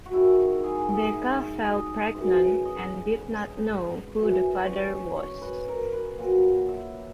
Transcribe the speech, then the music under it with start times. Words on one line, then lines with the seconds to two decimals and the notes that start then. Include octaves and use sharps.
Becca fell pregnant and did not know who the father was.
0.05 F#4
0.12 G#2 D#3 G#3 E4
0.63 G#4
0.89 D#5
1.13 E5
1.64 D#5
2.14 F#2 E3 G#3
2.65 D#5
4.16 F#2 E3 G#3
4.67 C#5
5.17 C#5
5.42 B4
5.68 A#4
5.93 B4
6.18 A#2 F#3
6.69 E5